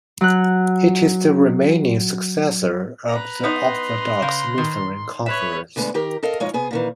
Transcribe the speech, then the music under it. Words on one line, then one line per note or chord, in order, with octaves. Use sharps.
It is the remaining successor of the Orthodox Lutheran Conference.
F#3 F#6
B4 A#5
B3 D#4 C6
C#3
D#3
B4 C#5 E5
D2 D3 G#3 B3
D#3 G4 A#4
A4 A#4 D#5 F5
F3 G#3 D#4 F4 C#5
C3 B3 G#4
A#2 D#3 E3